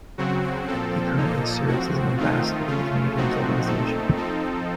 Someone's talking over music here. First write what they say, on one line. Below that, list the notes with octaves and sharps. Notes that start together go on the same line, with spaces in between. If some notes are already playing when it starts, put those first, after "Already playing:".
He currently serves as an ambassador to the Canadiens organization.
C#3 F#3 C4 F#4
A#2 F3 C4 A4
A#2 F3 A#3 D#4
A2 F3 C4 F#4
D#3 A3 C4 D#4 F4
C#3 A3 C#4 F4
A#2 F3 A3 C4 D#4 F#4
A#2 A3 C4 D#4 A4
F3 C4 D#4